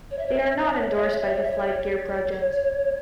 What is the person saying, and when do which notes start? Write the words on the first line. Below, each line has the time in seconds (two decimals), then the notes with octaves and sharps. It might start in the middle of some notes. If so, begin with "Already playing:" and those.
They are not endorsed by the "FlightGear" project.
0.11 C#5
0.18 E5
0.26 C#5
0.34 E5
0.42 C#5
0.50 E5
0.57 C#5
0.65 E5
0.73 C#5
0.81 E5
0.88 C#5
0.96 E5
1.03 C#5
1.11 E5
1.19 C#5
1.26 E5
1.35 C#5
1.42 E5
1.50 C#5
1.58 E5
1.66 C#5
1.81 C#5